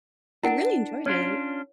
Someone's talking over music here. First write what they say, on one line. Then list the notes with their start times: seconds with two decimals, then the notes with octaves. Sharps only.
I really enjoyed it.
0.43 D4 E4 A#4 F#5
1.06 C#4 D4 F4 C#5